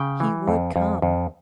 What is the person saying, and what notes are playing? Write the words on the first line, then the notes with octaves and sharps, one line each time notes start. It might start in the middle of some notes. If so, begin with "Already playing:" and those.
He would come!
Already playing: C#3 G5
E3
F2
F2
F2